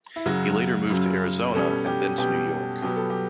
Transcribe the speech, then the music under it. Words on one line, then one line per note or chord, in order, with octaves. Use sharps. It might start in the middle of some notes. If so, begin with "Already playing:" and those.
He later moved to Arizona, and then to New York.
E4
F#2 C#3 F#3 F#4
F#2 C#3 F#3
B2 G3 C#4 A4
G4
B2 G3 C#4 G4
B2 F#3 B3 G4
A4
G4